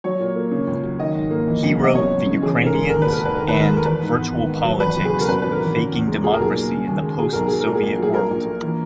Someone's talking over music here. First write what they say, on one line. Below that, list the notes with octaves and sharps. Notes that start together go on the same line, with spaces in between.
He wrote "The Ukrainians" and "Virtual Politics: Faking Democracy in the Post-Soviet World".
F#3 C#5
A#2
A#3
C#3
C#2
F#3
D#3 D#5
G#2
A#3
E3
F#2
B3 D#5
F#2 C#5
F#1
C#3
E3 G#4
G#2
A#4
G#3
D#2 A#4
E1 B4
A#4
D#3 B4
D#3 A#4
D#2 B4
A#4
G#3
A#4
E3 B4
G#2
B3
D#3
G#2
F#3
E2 B4
F#1
G#4
B2
A#4
F#2 B4
G#1 B4
A#4
E3
C#3
E2
G#3
A#2 G#4
A#4
B1 G#4
A#3
C#3
D#2
G#3
B2 G#4
B1 A#4
F#3 G#4
A#4
A#2
G#4
A#1
F#3 G#4
A#2 A#4
A#1
A#3
E3